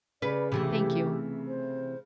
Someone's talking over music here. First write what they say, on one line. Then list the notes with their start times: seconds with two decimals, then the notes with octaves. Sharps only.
'Thank you.
0.22 C#3 B4 D5
0.52 C3 E3 A3 G4
1.47 C5